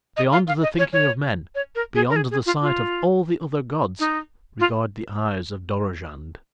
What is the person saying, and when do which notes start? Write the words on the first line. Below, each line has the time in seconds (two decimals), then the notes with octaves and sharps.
Beyond the thinking of men, beyond the sight of all the other gods, regard the eyes of Dorozhand.
0.17 D#5
0.32 F5
0.48 F5
0.62 D#5
0.79 C#5
0.93 C#5
1.55 C#5
1.75 A#4
1.95 G#4
2.10 A#4
2.16 G#4
2.31 G#4
2.46 F4
2.62 F4
3.99 D#4
4.60 F4